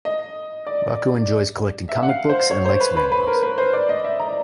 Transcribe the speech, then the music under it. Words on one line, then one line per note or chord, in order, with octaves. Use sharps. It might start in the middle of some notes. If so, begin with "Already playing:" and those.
Rocko enjoys collecting comic books and likes rainbows.
D#5
D5
E5
F#5
F5
C5
C#5
C5
B4
B4
B4
A#4
B4
C5
D5
D#5
E5
A#5